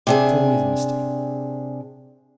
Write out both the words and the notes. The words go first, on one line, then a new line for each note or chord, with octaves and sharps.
That's always a mistake.
C3 D4 G#4